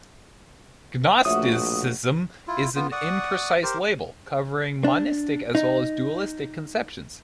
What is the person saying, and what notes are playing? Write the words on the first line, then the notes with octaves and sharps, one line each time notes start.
Gnosticism is an imprecise label, covering monistic as well as dualistic conceptions.
A#1 A3 F4 F#4 C#5 E5 D#6
E4 F4
B3 F4
D5 F#5 C#6 D#6
G4 A#4 C5
D4
D#4